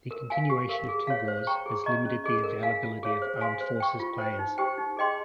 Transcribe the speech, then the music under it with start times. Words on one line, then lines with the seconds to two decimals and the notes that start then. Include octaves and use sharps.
The continuation of two wars has limited the availability of armed forces players.
0.11 A#4
0.30 F5 G#5
0.50 G4
0.69 A#4 F5
0.89 G#4
1.07 C#5 F5
1.28 C5
1.47 G5 A#5 C#6
1.66 G#4
1.86 D#5 A#5 C#6
2.06 C#4
2.24 G#4 D#5
2.44 A#4
2.63 F5 G#5
2.83 F4
3.03 G#4 C#5 F5
3.22 C5
3.41 F5 G#5 C6
3.61 C5
3.80 G5 C#6
4.00 F4
4.18 C5 G5
4.39 D#4
4.58 G4 C5 G5
4.78 D#4
4.97 G#4 D#5 G5 C6